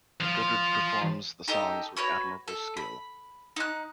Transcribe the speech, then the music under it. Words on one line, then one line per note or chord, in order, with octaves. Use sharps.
Gudrid performs the songs with admirable skill.
F3 F4
D#4 G4 A4 D#5
F#4 B4 C#5
A4
B5
D#4 F#6